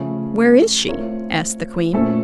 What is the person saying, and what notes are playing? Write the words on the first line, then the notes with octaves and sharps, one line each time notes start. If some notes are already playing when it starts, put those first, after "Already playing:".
"Where is she?" asked the queen.
Already playing: C#3 F3 A3 C#4
A3 C4 F4 A#4 C#5
A#2 A3 C#4 A4 C5